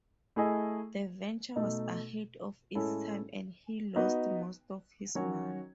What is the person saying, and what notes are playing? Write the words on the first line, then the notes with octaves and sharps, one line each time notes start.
The venture was ahead of its time and he lost most of his money.
A3 E4 G#4 D#5
B2 A3 D#4 A4 D#5
A2 G#3 C#4 E4 A4
B3 D#4 F#4
D#3 F#3 C#4 F#4 C#5